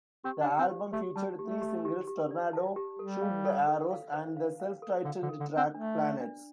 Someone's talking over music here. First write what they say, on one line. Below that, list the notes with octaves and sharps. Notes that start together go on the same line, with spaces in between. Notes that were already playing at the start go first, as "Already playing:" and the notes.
The album featured three singles: "Tornado", "Shoot the Arrows", and the self-titled track "Planets".
C4 G4
D4
D5
C4
G4
A3 G4
G3 A5
A3 G4
G4
G4
G4
D5
A5
G4
G3 A4
F5
A4
A4
F5
C5
F5
F5
A4
D3 F5
D3
A4
D3
C5
C4
A3 D4
D5
D4